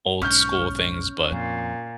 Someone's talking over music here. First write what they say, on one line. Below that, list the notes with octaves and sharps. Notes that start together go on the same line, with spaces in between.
old school things, but,
B1 G#2 C#4 C#6 F6 G6
F2 A#2